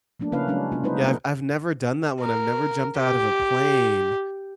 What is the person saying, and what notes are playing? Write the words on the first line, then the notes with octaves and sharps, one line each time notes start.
yeah, I've I've never done that one, I've never jumped out of a plane,
F3 A3 A#3 D4
C#3 A#3 C#4 E4 B4 F5
F#3 G#3 C#4 D4
C3 B3 D4 F4
G3 G#3 D#4 F4 B4 C5
A3 B3
A#4
G4